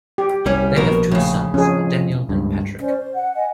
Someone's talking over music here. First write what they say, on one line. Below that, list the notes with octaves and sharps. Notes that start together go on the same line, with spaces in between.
They have two sons, Daniel and Patrick.
G4
C2 G3 C#4
A#1 B2 A#4
A2 C#3
F2 C#4 G#4
C#2 G2
C#4 C5 D5
C5
F#5
D#5 F#5 G#5